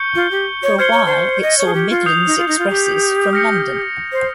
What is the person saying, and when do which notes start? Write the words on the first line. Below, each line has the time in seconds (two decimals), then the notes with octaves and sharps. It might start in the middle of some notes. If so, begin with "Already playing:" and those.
For a while it saw Midlands expresses from London.
Already playing: C#6 G6 C#7 G7
0.15 F4
0.31 G4
0.63 C#5
0.79 C5 F6 G#6 C#7 G7
0.92 C#5
1.06 C5
1.42 D#5
1.58 C#5
1.66 G#4
1.74 G4
1.90 F4
2.06 D#6 G6 C7 F7
2.27 D#4
2.38 F4
2.48 D#4
2.59 F4
2.69 G4
3.33 F6 A#6 C#7
4.12 C5